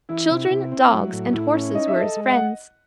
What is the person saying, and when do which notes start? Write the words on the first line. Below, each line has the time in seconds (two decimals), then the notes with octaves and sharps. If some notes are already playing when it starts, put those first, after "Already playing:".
Children, dogs and horses were his friends.
0.09 E3 E4
0.30 C3
0.51 C3
0.72 C4
0.93 F#3
1.12 A2
1.33 A2 E4
1.54 C#4
1.75 D#4 D#5
1.87 E5
1.96 A4 D#5
2.17 G#3
2.31 F#5